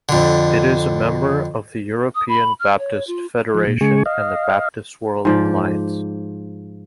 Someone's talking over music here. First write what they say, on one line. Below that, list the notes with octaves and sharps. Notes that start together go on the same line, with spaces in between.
It is a member of the European Baptist Federation and the Baptist World Alliance.
F2 D3
D#6
B5
F6
C#5
F4
F3
A#2
C#3 G#3 G#5 C#6
D#5 F5
G#2 F3 D5